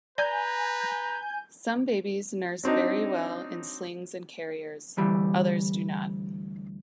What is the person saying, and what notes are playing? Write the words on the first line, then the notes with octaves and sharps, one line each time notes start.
Some babies nurse very well in slings and carriers, others do not.
B4 D5 G#5 A#5 G6
F#3 C4 D4 D#4
D2 E3 G3